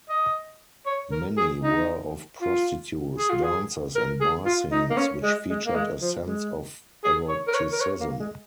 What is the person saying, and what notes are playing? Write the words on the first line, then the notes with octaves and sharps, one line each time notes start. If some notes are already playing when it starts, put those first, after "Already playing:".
Many were of prostitutes, dancers and bar scenes, which featured a sense of eroticism.
D#5
C#5
A#4
G#4
D#4
F4
G#4
F4
G#4
A#4
G#4
F4
D#4
A#3
C#4
G#3
G#3
A#3
G#3
F3
G#3
G#4
C#5
A#4
C#5
A#4
C#5
A#3
G#3